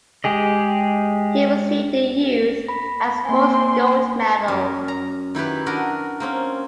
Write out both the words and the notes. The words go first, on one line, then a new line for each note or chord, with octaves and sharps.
He received the Youth and Sports gold medal.
G#3 G4 G#4 D#5
B5 A#6
A#3 C4 G#5 C6
F#2 A#4
A#5
D#3 E4 G4 B4
D4 F#4 A#4 D#5
A#3 C4 C#4